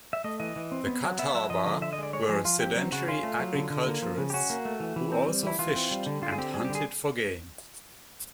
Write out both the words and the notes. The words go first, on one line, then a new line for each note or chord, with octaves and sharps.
The Catawba were sedentary agriculturists, who also fished and hunted for game.
E5
A3 D#5
E3 D#5
E3
C4
B3
F#3
B3 E5
F#3 E5
F3 D#5
D3 D#5
D3 E5
D#5
G#3 D5
G#3 C#5
F3 G#4
F3 F4
C4 G4
F#3
C#3 F#4
C#4 F4
A3
F#3
D3
D3
A#3
F3
C#3
G4
C#4 F#4
A#3
A3
E3
E3
C4
G3
E3 E4
E3 F4
C4
G3
D3
D3 F4
G#4
C4 G4
G3 G#4
G4
D3
G#4